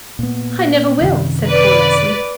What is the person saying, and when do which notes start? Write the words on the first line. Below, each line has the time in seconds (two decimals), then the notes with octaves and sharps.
"I never will," said poor Leslie.
0.19 A#2 B3
1.01 F#2 C3 D#3
1.47 B4 D5